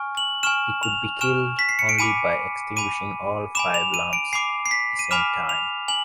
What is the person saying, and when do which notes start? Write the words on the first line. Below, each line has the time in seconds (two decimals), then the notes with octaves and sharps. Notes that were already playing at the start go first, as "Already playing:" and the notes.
He could be killed only by extinguishing all five lamps the same time.
Already playing: G#5 C#6 F6
0.17 F#7
0.43 G#5 C#6 F6 E7
0.83 F7
1.21 G#5 C#6 F6 E7
1.59 B6
1.69 C7
1.79 C#7
1.89 D7
1.98 G#5 B5 D6 D#7
2.76 G#5 B5 D6 D#7
3.55 G#5 B5 D6 E7
3.74 F7
3.94 D#7
4.13 D7
4.33 G#5 B5 D6 C7
4.66 C7
4.71 B6
4.99 D#7
5.11 G#5 B5 D6 F6 E7
5.49 F7
5.88 G#5 F#7